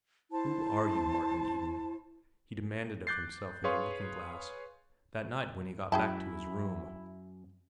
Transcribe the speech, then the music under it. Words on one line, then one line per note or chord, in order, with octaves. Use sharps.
Who are you, Martin Eden? he demanded of himself in the looking-glass, that night when he got back to his room.
E4 C5 A5
D6 F#6 G6 A6 C7
G#4 B4 C#5 F5 C6 C#6
F#2 E4 G#4 G5 A5